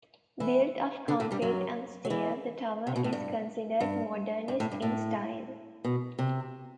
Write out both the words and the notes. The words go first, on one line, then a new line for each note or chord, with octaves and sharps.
Built of concrete and steel, the tower is considered Modernist in style.
E3 E4
D3 D4
A2 A3
G2 G3
F#2 F#3
F#3
E2 E3
C3
B2
A2
G2
G2
G2
A2
G2
A2
B2
C3